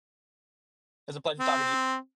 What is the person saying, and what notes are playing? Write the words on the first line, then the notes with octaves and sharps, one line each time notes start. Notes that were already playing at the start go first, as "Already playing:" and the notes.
It's a pleasure talking to you
C4